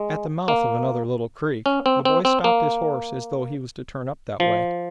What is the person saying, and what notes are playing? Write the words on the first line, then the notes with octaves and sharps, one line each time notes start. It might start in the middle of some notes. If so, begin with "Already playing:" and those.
At the mouth of another little creek the boy stopped his horse as though he was to turn up that way.
Already playing: G#3
A#3
C#4
C4
C4
C4
A#3
F3